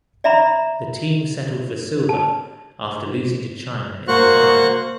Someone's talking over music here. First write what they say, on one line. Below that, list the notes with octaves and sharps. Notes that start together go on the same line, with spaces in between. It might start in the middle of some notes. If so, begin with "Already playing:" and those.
The team settled for silver after losing to China in the final.
D5 E5 A#5 B5
A5
A#3 F#4 C5 C#6 F#6